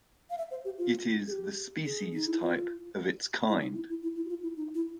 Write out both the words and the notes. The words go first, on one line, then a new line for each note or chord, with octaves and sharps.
It is the species type of its kind.
F5
E5
C5
G4
F4
G#4
G4
G#4
D#4
E4
F4
E4
D#4
E4
E4
E4
E4
F#4
F4
E4
D#4
E4